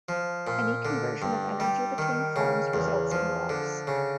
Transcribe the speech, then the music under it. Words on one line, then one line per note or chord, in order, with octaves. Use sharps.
Any conversion of energy between forms results in loss.
F3
A#2
D3
G2
G3
D#3
C#3
E2
F3
D3
C#3